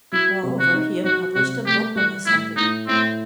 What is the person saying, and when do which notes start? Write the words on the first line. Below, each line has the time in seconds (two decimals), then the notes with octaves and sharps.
Moreover, he had published a book on the subject.
0.12 F#3 E4
0.43 C3
0.59 F#4
0.74 D#4
1.04 F#3 F#4
1.34 C3 F#4
1.66 A3 G4
1.96 G3 F#4
2.26 A2 E4
2.56 A2 D#4
2.87 A2 C4